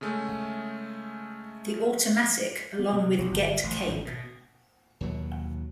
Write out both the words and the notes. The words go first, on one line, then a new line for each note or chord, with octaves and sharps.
The Automatic along with Get Cape.
C#3 G#3 A3 C#4
B3
C3
B1
G1
A1
G#1
B2
D#2 B2 F#3